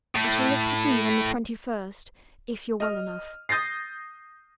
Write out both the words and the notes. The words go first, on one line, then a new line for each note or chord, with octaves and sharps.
I shall look to see you on the twenty-first, if you're well enough.'
A2 A3
D#5 F6
D#6 G6 A6 A#6 C7